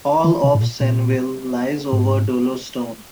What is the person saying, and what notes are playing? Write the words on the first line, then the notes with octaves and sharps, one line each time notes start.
All of Senneville lies over dolostone.
D#3
C3
G#2
A#2
A#2
G#2